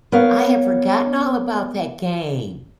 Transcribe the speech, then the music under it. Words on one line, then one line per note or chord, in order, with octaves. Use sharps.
I have forgotten all about that game.
B3 A#4 C#5 F5